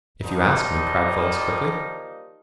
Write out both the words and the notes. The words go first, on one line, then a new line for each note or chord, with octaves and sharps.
"If you ask me," cried Phyllis quickly.
F3 G3 A#3 D#4